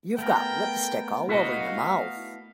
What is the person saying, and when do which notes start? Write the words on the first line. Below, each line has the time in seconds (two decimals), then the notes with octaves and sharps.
You've got lipstick all over your mouth.
0.18 A3 B3 A#4 G5
1.29 E4 F#4 D#5 F5